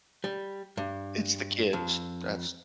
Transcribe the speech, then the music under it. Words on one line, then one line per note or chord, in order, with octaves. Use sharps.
It's the kids. That's
G3
G2
F2